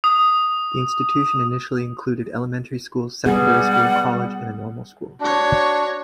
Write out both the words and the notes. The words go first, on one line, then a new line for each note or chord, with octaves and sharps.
The institution initially included elementary school, secondary school, college, and a normal school.
D#6
G3 B3 G#4 F#5
D4 F#4 C#5